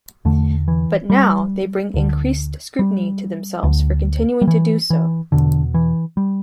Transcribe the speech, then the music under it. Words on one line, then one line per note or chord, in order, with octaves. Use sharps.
But now they bring increased scrutiny to themselves for continuing to do so.
E2 D3 A3
E3
G3
D2 D3
G3
D2 D3
G3
E3
E3
E2 B2 D3
E3
G3